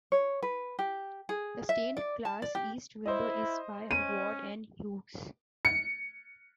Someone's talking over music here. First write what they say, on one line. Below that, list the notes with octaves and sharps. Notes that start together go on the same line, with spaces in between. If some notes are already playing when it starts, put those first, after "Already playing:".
The stained glass east window is by Ward and Hughes.
C#5
B4
G4
G#4
E5
D5
A5
D5
G4
E4 C5 D#5
C#4 D#7
C#7